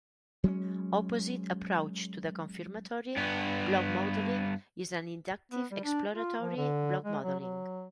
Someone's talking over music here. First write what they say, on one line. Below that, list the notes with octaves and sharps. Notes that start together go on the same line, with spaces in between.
Opposite approach to the confirmatory blockmodeling is an inductive exploratory blockmodeling.
F#3 G#3 C4 C#4
G2 B3
B3
G3
D4
F4
F3
D3
G#3
F#3
F#3